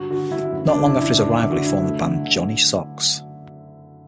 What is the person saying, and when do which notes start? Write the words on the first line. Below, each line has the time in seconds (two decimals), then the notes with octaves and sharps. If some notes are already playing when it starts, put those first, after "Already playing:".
Not long after his arrival he formed the band Johnny Sox.
Already playing: G2 D3 F#4
0.10 D3 F#4
0.31 D3 E4
0.52 F#2
0.68 D4
0.74 C#3
0.85 E4
0.95 F#2
1.01 E4
1.17 D2 D4
1.34 E4
1.39 D3
1.49 F#4
1.60 D2
1.66 E4
1.82 A3
2.03 D3
2.25 D3